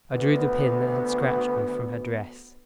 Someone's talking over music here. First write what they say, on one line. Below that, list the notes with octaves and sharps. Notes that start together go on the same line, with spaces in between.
I drew the pin that had scratched me from her dress.
D2 B3